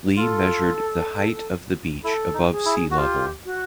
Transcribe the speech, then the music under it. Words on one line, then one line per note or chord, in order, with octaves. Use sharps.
Lee measured the height of the beach above sea level.
F4 A4
E4 A4
D#4
G#4
E4
F#4
F4 G4
F#4